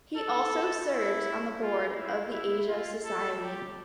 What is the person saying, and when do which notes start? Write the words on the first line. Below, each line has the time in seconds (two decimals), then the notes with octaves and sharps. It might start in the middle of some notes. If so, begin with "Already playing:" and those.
He also serves on the board of the Asia Society.
0.16 A4
0.89 E4
1.61 F4
1.97 E4
2.32 E4
2.69 F4
3.05 A4
3.41 G4